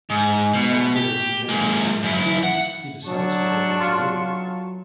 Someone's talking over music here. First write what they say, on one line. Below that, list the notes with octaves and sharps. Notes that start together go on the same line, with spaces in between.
After this encounter leaves him curious, he decides to go to Peru.
G#2
B2
G4
G#3 A#3
F#2 E4
F#5
F#3 D4 A5 C#6
F#3 F4